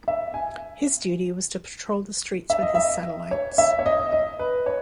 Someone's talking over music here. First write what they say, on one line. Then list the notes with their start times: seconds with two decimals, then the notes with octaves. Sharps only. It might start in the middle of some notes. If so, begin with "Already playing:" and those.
His duty was to patrol the streets with his satellites.
0.08 E5
0.34 G#5
2.50 E5
2.62 D#5
2.75 E5
3.31 C#5
3.58 E5
3.79 C#5
3.86 D#5
4.13 D#5
4.39 B4
4.66 C#5